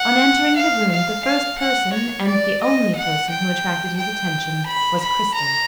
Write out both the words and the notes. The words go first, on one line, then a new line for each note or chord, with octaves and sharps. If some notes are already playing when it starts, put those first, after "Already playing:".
On entering the room, the first person, and the only person, who attracted his attention was Cristel.
Already playing: F#5
F5
F5
F5
F#5
C#5
D5
D#5
F#5
G5
G5
B5
B5
A#5